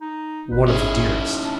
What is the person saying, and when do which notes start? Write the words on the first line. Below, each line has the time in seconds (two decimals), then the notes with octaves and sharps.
One of the dearest.
0.01 D#4
0.52 G#1 B4
0.68 C#4 D#4 E4 G#4
1.46 D4